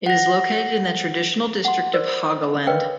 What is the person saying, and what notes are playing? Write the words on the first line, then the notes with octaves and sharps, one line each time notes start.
It is located in the traditional district of Haugaland.
F#5 A#6
F#5 C6
A#4 C5 D5
A#4 B4 C#5 D#5 F5 G5